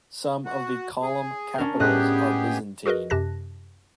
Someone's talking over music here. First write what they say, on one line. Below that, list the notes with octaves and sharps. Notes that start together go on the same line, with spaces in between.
Some of the column capitals are Byzantine.
F#4
G#4
C#4 D4 A#4
A2 B3 G4 G#4 D#5 F#6
F#4 G#4 A#4 B4 D#5
F#2 C3 G4 A5 F#6 A#6